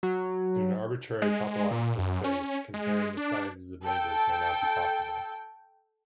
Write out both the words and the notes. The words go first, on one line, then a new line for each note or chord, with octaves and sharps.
In an arbitrary topological space, comparing the sizes of neighborhoods may not be possible.
F#3
G#3
A#2
F#2
C#4
G#3
D4
A4 G5